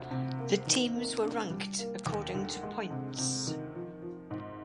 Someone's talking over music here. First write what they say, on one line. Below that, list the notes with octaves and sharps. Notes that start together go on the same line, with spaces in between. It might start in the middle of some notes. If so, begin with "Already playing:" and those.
The teams were ranked according to points.
Already playing: D2 C3
C3
A#3
D#3
A#3
D4
G3
A#3
D#2
D3
G#3
C3
C3
D#3
F3
F3
G#2